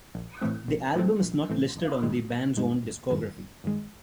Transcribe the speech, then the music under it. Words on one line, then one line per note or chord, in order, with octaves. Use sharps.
The album is not listed on the band's own discography.
A#1
A2 E3 A3 C4
A#1
A2 E3 A3 C4
A#1
A2 E3 A3 C4
G1
G2 D#3 G#3
G1
G2 D#3 G#3
G1
G2 D#3 G#3
G1
G2 D#3 G#3